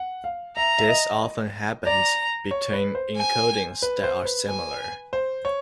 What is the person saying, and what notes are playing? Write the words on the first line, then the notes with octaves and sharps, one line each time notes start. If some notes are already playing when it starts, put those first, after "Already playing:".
This often happens between encodings that are similar.
Already playing: F#5
F5
E5 A#5
E5
D#5
D5 A#5
C#5
B4
C5
G#5
B4
C5
B4
G#5
C5
C#5